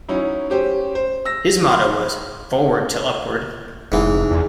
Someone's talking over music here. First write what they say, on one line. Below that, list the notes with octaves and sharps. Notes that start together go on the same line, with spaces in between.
His motto was Forward 'Till Upward.
F#3 C#4 D#4 E4
C#4 G4 C5
C5
E6 A#6
B5 C6
F1 G#2 E3
E2